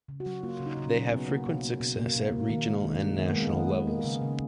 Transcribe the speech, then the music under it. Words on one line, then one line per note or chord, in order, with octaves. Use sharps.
They have frequent success at regional and national levels.
C#3
F#4
F#3
A#3 F4
C#3
D#4
C#3
C#4
F#3
B2 B3
A#3
B2
A#3
B2
A#3
B2
A#3
D#3 A#3
G#3
D#3
G#3
D#3 B3
A#3
G#3
B3
D#3
G#3
A#3
C#3
C#3